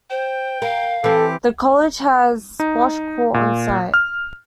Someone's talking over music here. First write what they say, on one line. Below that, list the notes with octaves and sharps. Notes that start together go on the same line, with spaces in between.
The college has squash court on site.
C5 G5
A#4 F5
E3 C4 G4 A4
D#4
A#2
F6